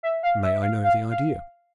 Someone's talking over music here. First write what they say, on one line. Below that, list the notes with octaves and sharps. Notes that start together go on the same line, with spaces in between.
"May I know the idea?"
E5
F5
E5
F5
F5
F5